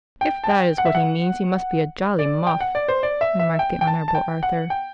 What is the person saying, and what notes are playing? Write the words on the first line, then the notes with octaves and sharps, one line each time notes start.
"If that is what he means, he must be a jolly muff," remarked the Honourable Arthur.
G5
A5
G5
F#5
E5
F#5
D5
G5
F#5
D5
C5
D5
E5
E5
G5
G5
A5
A5
G5
F#5
G5